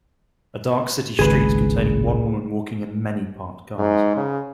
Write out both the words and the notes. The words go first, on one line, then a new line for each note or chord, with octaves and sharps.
A dark city street containing one woman walking and many parked cars.
G#1 C#2 G#4 B4
G#2
C#3